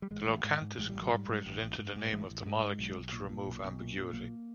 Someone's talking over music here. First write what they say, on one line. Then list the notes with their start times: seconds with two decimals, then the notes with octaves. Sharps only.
The locant is incorporated into the name of the molecule to remove ambiguity.
0.02 G3
0.11 A1 G#3
0.27 A1
0.44 G#2
0.61 G#2
0.78 A1 G#3
0.89 G3
0.95 A1
1.02 F#3
1.11 G#2 G3
1.28 G#2
1.46 A1
1.62 A1
1.79 G#2
1.96 G#2
2.13 A1 G#3
2.30 A1
2.46 G#2 G#3
2.62 G#2
2.79 B1
2.96 B1
3.13 A#2
3.29 A#2
3.46 B1
3.63 B1
3.81 A#2
3.97 A#2
4.13 B1 A#3